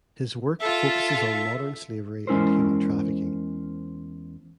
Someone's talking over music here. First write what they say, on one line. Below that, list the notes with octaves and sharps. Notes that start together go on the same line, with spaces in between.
His work focuses on modern slavery and human trafficking.
F4 A4 E5
E2 G#3 C#4 E4 A#4 C5